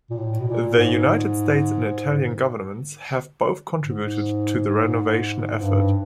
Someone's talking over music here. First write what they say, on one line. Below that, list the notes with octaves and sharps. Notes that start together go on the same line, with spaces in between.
The United States and Italian governments have both contributed to the renovation effort.
A#2
A2
B2
A#2
G#2
G#2
G2